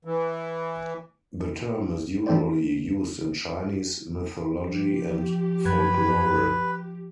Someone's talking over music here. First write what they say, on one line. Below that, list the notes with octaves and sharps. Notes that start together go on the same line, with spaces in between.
The term is usually used in Chinese mythology and folklore.
E3
E3 A3 C4 C5 D5
F3 G4
F#2 B4 G#6